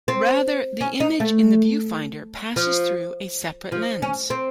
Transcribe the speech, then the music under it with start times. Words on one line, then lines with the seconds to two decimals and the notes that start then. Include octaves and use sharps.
Rather, the image in the viewfinder passes through a separate lens.
0.08 C4
0.81 C#4
1.00 D#4
1.20 A3
2.56 F3
3.72 F3
4.02 C#4
4.30 C4